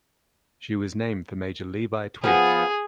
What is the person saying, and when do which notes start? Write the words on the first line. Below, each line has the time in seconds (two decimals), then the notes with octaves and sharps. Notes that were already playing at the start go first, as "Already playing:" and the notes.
She was named for Major Levi Twiggs.
2.24 F3 B3 G#4